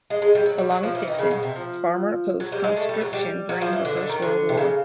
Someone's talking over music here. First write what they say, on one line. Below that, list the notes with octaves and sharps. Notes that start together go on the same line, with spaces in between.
Along with Dixon, Farmer opposed conscription during the First World War.
G#3
G#3
G3
F#3
G3
F#3
F3
E3
D#3
C#3
B2
C3
F3
F#3
G3
G#3
A3
G3
F#3
G3
F#3
F3
E3
D3
D3
D#3
D3
C3
C#3